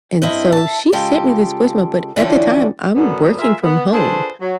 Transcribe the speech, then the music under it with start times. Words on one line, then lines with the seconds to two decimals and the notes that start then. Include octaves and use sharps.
And so she sent me this voicemail, but at the time I'm working from home.
0.22 G2 C4 E4 D#5
0.52 E5 A5
0.92 C#3 G#3 F4 G4 A4
2.16 D3 E3 F3 G3 C#4
2.95 F#2 A2 D3 B3
3.39 F4 G#4 A#4 E5
3.62 B3
3.93 D4 F4 G#4 A4 B4 C5
4.40 F#3